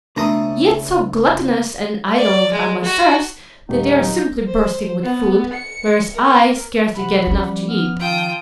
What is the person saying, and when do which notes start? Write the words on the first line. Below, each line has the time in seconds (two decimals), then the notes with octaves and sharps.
Yet so gluttonous and idle are my serfs that they are simply bursting with food, whereas I scarcely get enough to eat.
0.16 C#2 B2 A3 D4 A#5 D#6
2.17 D5
2.52 G#3
2.83 F#4
3.69 D#1 D#4
4.01 F#3
4.16 G6 A#6
4.47 C5
5.03 B3
5.53 C#7
6.14 A#4
6.95 C3 F#5 B5
7.27 F3 G3 C#4
7.69 B3 F6
8.00 D#3 F4 G5 A5 D#6